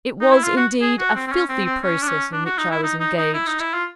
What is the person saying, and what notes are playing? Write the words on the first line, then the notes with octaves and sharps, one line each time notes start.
It was, indeed, a filthy process in which I was engaged.
D#4
E4
F4
F#4
G#4
F#4
C4
C4
C#4
C4
C4
C#4
D4
C#4
D4
F#4
D#4
E4
D#4
D#4
D#4
E4
D#4
E4
F4